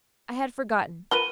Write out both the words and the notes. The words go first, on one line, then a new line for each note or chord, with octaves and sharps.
I had forgotten!
F4 A#4 B4 D#7 G7